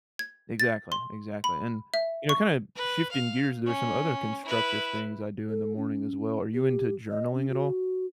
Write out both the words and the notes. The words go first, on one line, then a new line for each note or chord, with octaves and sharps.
Exactly, exactly, and, you know, kinda shifting gears, there are some other constructive things I do in the morning as well. Are you into journaling at all?
G#6
A6
C6
B5
E5
C#6
B4
F5
C#4
E4 B4
A4
C#4
G4
D#5
C#4
F#4